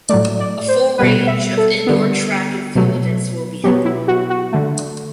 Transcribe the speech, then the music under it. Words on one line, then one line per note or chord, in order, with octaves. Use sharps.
A full range of indoor track and field events will be held.
A2 F#3 A3 D5
D5
C5
B2 G3 B3 B4
E5
A4
D3 G3 B3
B2 F#3 A3
B2 F#3 B3 G4
E4
F#4
F#4
D3 A3